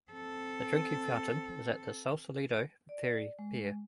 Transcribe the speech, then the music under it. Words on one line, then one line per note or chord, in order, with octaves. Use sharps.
The drinking fountain is at the Sausalito Ferry Pier.
C4 A4
D5
G#3